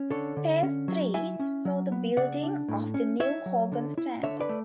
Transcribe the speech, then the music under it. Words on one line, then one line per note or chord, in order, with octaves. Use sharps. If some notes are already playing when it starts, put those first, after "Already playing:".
Phase Three saw the building of the new Hogan Stand.
Already playing: C#4
D3 A4 C#5
D3
C#4
F#3
E4 E5 G#5
C#4
F#3
B3
C#3 D5 F#5
D4
A2
C#4
E4 C#5 E5
F#3
D3
E4
D3 C#5 E5
B4 D5
A3